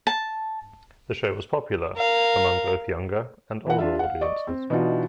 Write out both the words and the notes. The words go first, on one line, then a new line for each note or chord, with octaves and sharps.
The show was popular among both younger and older audiences.
A5
A#4 F5
E3 F#5
D4 F4 E5
F5 F#5
D5 D#5 C#6
C4
B2 E3 D4 D#4 F4 F#4